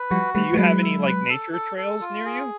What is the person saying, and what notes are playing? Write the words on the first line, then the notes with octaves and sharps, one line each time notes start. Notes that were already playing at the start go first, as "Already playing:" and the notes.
Do you have any, like, nature trails near you?
Already playing: B4
F3 G3 F#4
G3 A3 B4
A3
F#3 G#3 B4
E4
B4
A4
A4
A4
F4
G#4